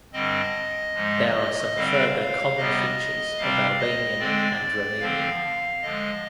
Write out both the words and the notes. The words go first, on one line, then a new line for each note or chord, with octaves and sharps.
There are some further common features of Albanian and Romanian.
G2 D3 G3 C4 D#5
G#2 F3 G#3
D3 G3 C4 F5
C3 G3 B3 D#5
C3 G3 C4 F5
D#5
D3 G#3 C4 D5
D3 F3 C4 F5
D3 F3 G#3 D#5